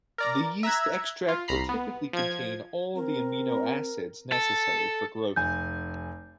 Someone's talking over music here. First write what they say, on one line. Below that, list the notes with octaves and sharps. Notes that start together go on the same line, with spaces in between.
The yeast extract will typically contain all the amino acids necessary for growth.
A#4 D5 A#5
E5 A#5 E6 F#6 G#6
F4
C2 A#5 B5 C7
B3
F3 G#6
C4 A#4
A4
F1 G#5 G6